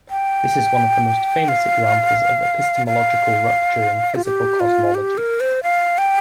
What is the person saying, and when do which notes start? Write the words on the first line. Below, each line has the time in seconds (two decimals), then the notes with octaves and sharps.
This is one of the most famous examples of epistemological rupture in physical cosmology.
0.10 G5
1.48 F5
2.87 F5
4.15 F4
4.25 G4
4.60 F4
4.95 G4
5.18 A#4
5.40 C5
5.63 F5
5.98 G5